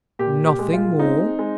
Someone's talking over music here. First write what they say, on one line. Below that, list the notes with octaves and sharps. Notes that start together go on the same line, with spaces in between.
"Nothing more?"
A#2 G4
G4
G#3
F4
C4 D#4
G#3